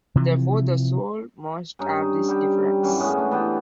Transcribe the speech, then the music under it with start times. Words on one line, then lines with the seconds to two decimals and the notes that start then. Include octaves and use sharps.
Therefore, the soul must have this difference.
0.16 C3 E3 F3
1.79 G2 C#4 D#4
2.28 G3 G4
2.83 F#2 E3 C#4 E4
3.00 A2 G#3 B3 C#4
3.18 A3 D4
3.31 E3 B3 F4 G4